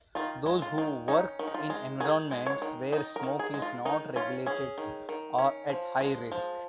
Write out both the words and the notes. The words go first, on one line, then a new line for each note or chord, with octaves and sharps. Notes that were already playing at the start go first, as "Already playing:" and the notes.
Those who work in environments where smoke is not regulated are at higher risk.
D#3 F4
G#3
F4
D#3
C#4 D#4
D#3
D#4
F4
G#3
D#3 G#4
G#3
C#5
D#3
D#4 D#5
A#4
D#3
G#4
G#3
F4
D#3 D#4
C#4 F4
C#4 G#4
D#3
D#3
C#4
F3
G#3
F3